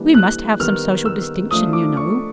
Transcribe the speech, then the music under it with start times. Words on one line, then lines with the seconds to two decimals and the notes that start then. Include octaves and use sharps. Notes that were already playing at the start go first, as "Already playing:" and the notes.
"We must have some social distinction, you know."
Already playing: E3 G3 A#3 D4
0.14 F#6
0.60 D#3 G3 B3 F6
1.05 E6
1.51 F3 A3 D4 D#6
1.73 D6
1.97 C#6